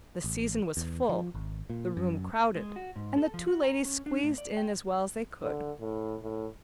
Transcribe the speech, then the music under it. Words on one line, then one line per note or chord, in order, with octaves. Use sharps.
The season was full, the room crowded, and the two ladies squeezed in as well as they could.
A1
E2
F3
G#1
A#2
F#2
G#3
F#4
G#2
A4
F3
F#4
A#5
C#4
D4
A2
D5
G5
D3
A2
A2